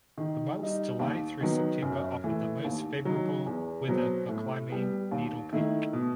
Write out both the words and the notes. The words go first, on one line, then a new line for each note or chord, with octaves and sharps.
The months July through September offer the most favorable weather for climbing Needle Peak.
D#3
G3 D#4
D#2
D#3 F#3 B3
F#2
E3 A3
D#2
D#3 F#3
E2
B2 F#3 C4
A2
G3 B3
D#2
D#3 A3 E4
B2